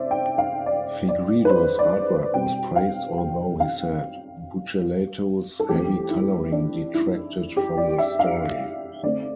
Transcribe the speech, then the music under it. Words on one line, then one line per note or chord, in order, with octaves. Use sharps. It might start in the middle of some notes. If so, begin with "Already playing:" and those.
Fegredo's artwork was praised although he said Buccellato's heavy colouring detracted from the story.
Already playing: C3 C5 D5 E5
G5
F5
D5
D5
B4
C5
D5
B2 G3 C4 G5
F5
G5
F5
A4
E3 A3 C4 G4
E4
D4
E4
G4
D5
E5
F5
D3 A3 C4 D5